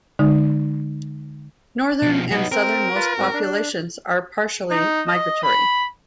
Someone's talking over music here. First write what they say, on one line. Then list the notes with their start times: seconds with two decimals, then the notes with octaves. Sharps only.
Northern and southernmost populations are partially migratory.
0.19 D3 G#3 D#4
2.02 B2 F3
2.31 F#3 B3 D#4
2.52 C4 A#4
2.95 F4 B4
3.18 G#2 C4 F#4
3.33 D4
4.71 D#4
5.08 D#5
5.43 B5